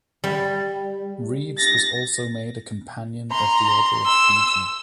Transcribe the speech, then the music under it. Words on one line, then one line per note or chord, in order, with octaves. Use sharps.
Reeves was also made a Companion of the Order of Fiji.
G3
A6 A#6
A#5 C6
E6